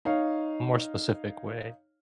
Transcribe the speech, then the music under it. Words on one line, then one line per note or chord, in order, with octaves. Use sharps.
more specific way?
D#4 C#5 F5